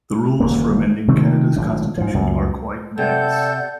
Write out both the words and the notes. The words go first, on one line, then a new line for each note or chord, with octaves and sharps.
The rules for amending Canada's constitution are quite dense.
D#1 F#2 D3 A#3
C3 D#3 A3 C4
G#1 A#2 F#3 D4
G#2 F3
C#2 F#2 A#2
C3 A4 D5 F#5 G6